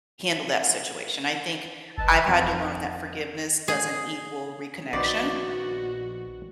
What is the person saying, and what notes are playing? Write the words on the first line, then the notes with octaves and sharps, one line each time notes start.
handle that situation. I think I've had to learn that forgiveness doesn't equal reconnection.
F#1 B4 D#5 A5
F2
G#4
A#1 D#3 B3 F#4 C5 D5